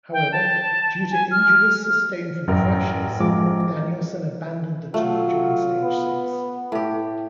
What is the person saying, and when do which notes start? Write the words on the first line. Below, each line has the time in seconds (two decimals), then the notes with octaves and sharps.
However, due to injuries sustained from crashes, Danielson abandoned the Tour during stage six.
0.13 G5
0.32 A5
1.12 G#5
1.31 F6
2.48 A1 F#2 A#4
3.20 F3 G#3 D6
4.94 F#3 A3 F4
5.82 B3
6.72 A2 G4